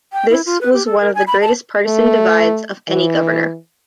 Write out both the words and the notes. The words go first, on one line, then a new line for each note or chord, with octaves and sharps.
This was one of the greatest partisan divides of any governor.
G5
E4
F4
B4
G4
A4
A#4
G#5
B5
A5
A3
E3